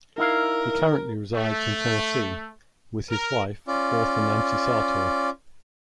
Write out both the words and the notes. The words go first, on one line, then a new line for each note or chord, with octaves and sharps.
He currently resides in Tennessee with his wife, author Nancy Sartor.
D#4 E4 A#4 F5
A3
A#4
C#4 F4 D5